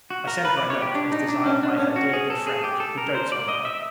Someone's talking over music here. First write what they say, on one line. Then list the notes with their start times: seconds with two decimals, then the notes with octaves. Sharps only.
I send her a note; as desired by her dear good friend, who doats on her.
0.10 F#4
0.27 A#4
0.45 B4
0.57 D5
0.70 C#5
0.82 G4
0.95 D4
1.12 D#4
1.29 D4
1.46 C#4
1.63 D4
1.79 C#4
1.96 F#4
2.13 G#4
2.30 A4
2.47 G#4
2.64 G4
2.80 A4
2.98 A#4
3.15 C5
3.32 D5
3.49 D#5
3.65 E5